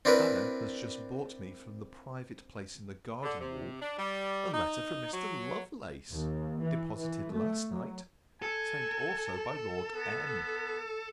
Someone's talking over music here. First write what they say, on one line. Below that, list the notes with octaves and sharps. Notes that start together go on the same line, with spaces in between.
Hannah has just brought me from the private place in the garden-wall, a letter from Mr. Lovelace, deposited last night, signed also by Lord M.
C4 D4 E4 A#4 B4
D3
C3
D4
G3
D#4
F#3
D#2
E3
E3
A3
F#3
A4 G#5
B3